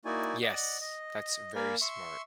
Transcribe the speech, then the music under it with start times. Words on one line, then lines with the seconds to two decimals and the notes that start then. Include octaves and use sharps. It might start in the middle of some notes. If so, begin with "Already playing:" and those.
Yes. That's very smart.
0.05 A#3 D#4 E4 F#4 D5 G#5
0.42 D5 D#5 F#5
0.81 D#5
1.55 A#3 A#4 D5 F5 G#5 B5
1.82 E5 C6 C#6